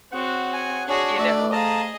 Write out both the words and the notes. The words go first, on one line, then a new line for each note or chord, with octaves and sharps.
you know.
C4 F#4 G#4 C#5 F#5
G#5
D4 F#4 G#4 C#5
A3 D5 E5
G#4 C5 D#5 F5 A5 A#5